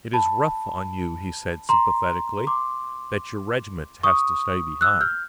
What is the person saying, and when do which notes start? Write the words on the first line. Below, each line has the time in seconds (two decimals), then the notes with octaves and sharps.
"It is rough on you," he said sympathetically, "that your regiment has to stay behind."
0.13 A5 B5
1.69 A#5 C6
2.47 C6 D6
4.03 C#6 D#6
4.81 E6 F#6
5.01 F6 G6